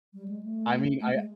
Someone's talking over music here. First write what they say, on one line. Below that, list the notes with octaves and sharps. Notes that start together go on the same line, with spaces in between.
I mean, I
G3
G#3
A3
A3
G#3